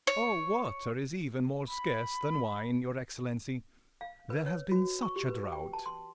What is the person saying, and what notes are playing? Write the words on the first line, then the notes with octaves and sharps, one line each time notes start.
"Oh, water is even more scarce than wine, your excellency,--there has been such a drought."
C#5
B5
F5
B4
C#5
F#4
C#6
G4
B4
G5
A5
C6